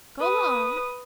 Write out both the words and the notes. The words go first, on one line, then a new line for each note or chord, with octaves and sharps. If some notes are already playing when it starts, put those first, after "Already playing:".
Go 'long.
B4 D#6